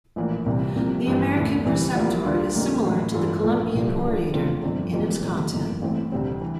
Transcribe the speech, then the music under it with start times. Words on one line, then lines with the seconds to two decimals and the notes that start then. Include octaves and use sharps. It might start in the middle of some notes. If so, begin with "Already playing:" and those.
"The American Preceptor" is similar to "The Columbian Orator" in its content.
0.16 A#1 A2 E3 A#3
0.46 C2 C3 E3
0.76 C2 C3 F3 A#3
1.05 G1 G2 E3 G3
1.35 E1 D2 D3 A3 E4
1.65 C2 C3 E3
1.95 A#1 A#2 G3 A#3 E4
2.25 D2 D3 G3 D4 F4
2.55 F2 D3 G3 A#3
2.84 A1 A2 E3 A#3
3.14 G2 E3 A#3 F4 A4
3.44 A#1 A#2 A3
3.74 C2 C3 F3
4.03 D2 D3 F3
4.33 E2 D3 A3 C4 F4
4.63 G1 F2 D3 F3 C4
4.93 F1 F2 E3 G3 A#3
5.23 E2 C3 F3 A3
5.53 G1 F2 E3 A#3
5.82 A1 A2 E3 A3 C4
6.12 D2 C3 G3 C4
6.42 E3